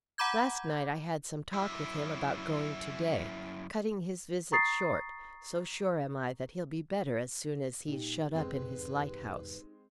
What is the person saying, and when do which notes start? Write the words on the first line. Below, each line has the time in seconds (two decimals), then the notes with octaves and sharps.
Last night I had some talk with him about going to-day, cutting his visit short; so sure am I that he'll be better as soon as he's shut up in his lighthouse.
0.18 F#5 A#5 B5 D6 G6 G#6
1.54 F#2 E4
4.52 A#5 C#6 D#6 A6 C7
7.88 A#2 D#4 G4
8.34 F1 E2 G#2 G#3 C4 B4